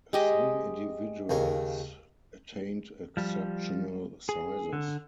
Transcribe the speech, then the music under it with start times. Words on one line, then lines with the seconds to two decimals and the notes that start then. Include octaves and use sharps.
Some individuals attained exceptional sizes.
0.13 G#3 G4 D#5
1.30 D#2 C#3 A#4
3.17 F3 G3
4.29 G#4
4.73 D3